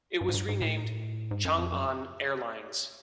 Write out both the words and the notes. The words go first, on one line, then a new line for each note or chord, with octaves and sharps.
It was renamed "Chang'an Airlines".
G2
G#2
G2
G#2
A2
G#2
F#2
F2
F#2